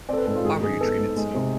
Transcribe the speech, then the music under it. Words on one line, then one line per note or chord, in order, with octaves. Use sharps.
Why were you treated so?
C4 A4 D5
B4
G#2 A4
F4
G#1 G#4
G#2 G#4
B3 A4
G#2
G#3
C3